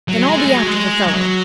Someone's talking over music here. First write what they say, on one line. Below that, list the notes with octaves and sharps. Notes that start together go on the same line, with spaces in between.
"Then I'll be after the fellow."
F#3
G#3
A3
G#3
F#3
G#3
F#3